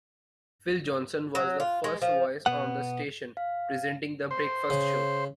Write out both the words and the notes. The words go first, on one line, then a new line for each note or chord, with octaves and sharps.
Phil Johnson was the first voice on the station presenting the Breakfast Show.
F#3
F4
G#3
F3
B2 B3 F#5
F5
C5
C#3